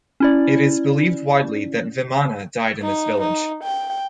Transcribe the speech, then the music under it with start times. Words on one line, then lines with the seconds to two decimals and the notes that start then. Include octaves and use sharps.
It is believed widely that Vemana died in this village.
0.20 C#4 E4 D5
2.82 D#4
3.21 D#4
3.63 G5